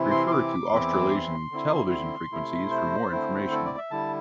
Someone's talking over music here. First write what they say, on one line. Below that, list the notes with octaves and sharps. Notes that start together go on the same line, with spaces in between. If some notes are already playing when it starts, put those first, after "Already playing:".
Refer to Australasian television frequencies for more information.
Already playing: C3 E3 C4 E4
C6
C6
D6
E2 E3 C4 E4
C6
D3 C4 E4
C6
C3 A3 E4
C5
D3 A3 C4 E4
A4
D5
E5
D3 G3 E4 A5